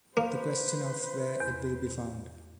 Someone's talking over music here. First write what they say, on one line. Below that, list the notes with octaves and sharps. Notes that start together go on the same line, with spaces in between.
The question of where it will be found.
A#3 B4 C5
E2